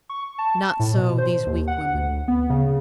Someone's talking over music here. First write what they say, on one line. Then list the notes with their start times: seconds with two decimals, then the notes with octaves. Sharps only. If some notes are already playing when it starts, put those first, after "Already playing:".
Not so these weak women.
0.09 C#6
0.38 A5
0.80 A2
0.94 B2
1.18 C5
1.46 D#2
1.67 F#5
1.94 D2
2.28 B3
2.50 C#3